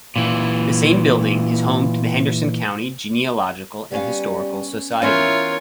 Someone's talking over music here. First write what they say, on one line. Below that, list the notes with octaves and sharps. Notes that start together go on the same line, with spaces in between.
The same building is home to the Henderson County Genealogical and Historical Society.
A#2 E3
G3 B3 C#4 F5
E3 B3 C#4 E4 F4 A#4 C#5